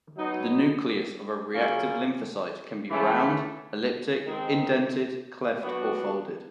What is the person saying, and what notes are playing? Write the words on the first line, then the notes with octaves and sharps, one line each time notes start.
The nucleus of a reactive lymphocyte can be round, elliptic, indented, cleft, or folded.
F#3 B3 D#4 F#4
C#3 F#3 A#3 C#4 F4
C#3 E3 A3 C#4
D#3 G#3 C4
F#3 B3 D4 F#4